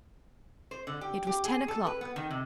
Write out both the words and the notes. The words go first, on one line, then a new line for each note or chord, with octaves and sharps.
It was ten o'clock.
C5
D3
G4
G4
G#4
A4
B4
B3
D#3
C3